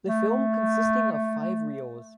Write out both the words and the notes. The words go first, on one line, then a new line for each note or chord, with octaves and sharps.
The film consisting of five reels.
A3
A3
A3